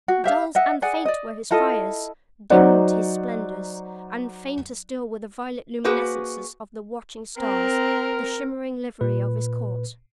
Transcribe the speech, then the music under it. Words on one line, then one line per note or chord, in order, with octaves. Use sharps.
Dulled and faint were his fires, dimmed his splendors; and fainter still were the violet luminescences of the watching Stars, the shimmering livery of his court.
F#4
G4 E5 F5
D#5 E5 F#5
G#4 D5 F#5 G#5
D5 D#5
E4 F4 A4 D#5
F#3 D#4 C5 D5 F#5
A#3 F#4 G#4 B4 C5
C4 A#4
A#2 B4